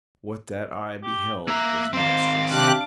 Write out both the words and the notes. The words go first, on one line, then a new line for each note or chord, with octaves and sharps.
What that eye beheld was monstrous.
G4
A#3 E5 A#5 F#6
D#3 C4 C5 F5 D6
C3 D4 G4 F5 D6 F#6